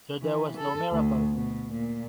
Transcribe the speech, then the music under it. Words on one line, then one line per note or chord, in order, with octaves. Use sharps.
So there was no miracle?
E3
A4
D2
B2
A#2